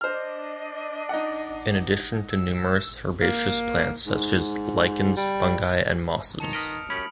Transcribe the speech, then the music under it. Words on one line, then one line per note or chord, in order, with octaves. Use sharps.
In addition to numerous herbaceous plants such as lichens, fungi and mosses.
D4 C5 D#5 F6
D#4 F#5
E6
A#3
G#2
G3
D#3 A5 C#7 F7
B4 D#5 D#6 F6 D7
F#2 C#4 G4 B5 D7 F#7